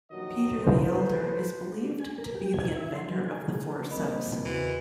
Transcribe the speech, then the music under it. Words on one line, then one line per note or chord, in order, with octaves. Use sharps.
Peter the Elder is believed to be the inventor of the forceps.
A#1 G2 D#3 F#3 A3 D#5
G4 A4 B4 C5
D4
G#5
A#4
G4
G#6
E5
C6
F#3
G#5
G#4
A#1 G3 C4 A#4 D#5 B5
E2 C#3 E3 F#4